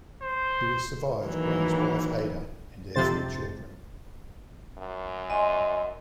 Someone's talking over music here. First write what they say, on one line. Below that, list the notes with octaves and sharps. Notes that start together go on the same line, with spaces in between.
He was survived by his wife Ada and their three children.
C5
D#3 E3 F#3 A#3
F2 C3 C5 A6
F#2
D#5 G#5 C6